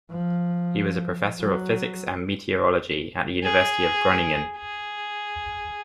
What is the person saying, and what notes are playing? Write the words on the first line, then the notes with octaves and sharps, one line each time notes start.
He was a Professor of Physics and Meteorology at the University of Groningen.
F3
F#3
G#4
G#4